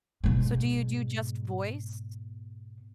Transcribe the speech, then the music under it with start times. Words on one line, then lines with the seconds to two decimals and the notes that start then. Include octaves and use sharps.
So, do you do just voice?
0.24 G#2 B2